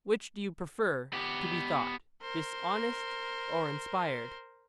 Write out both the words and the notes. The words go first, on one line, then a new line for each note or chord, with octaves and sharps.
Which do you prefer to be thought, dishonest or inspired?
B3 G4
A#4 C5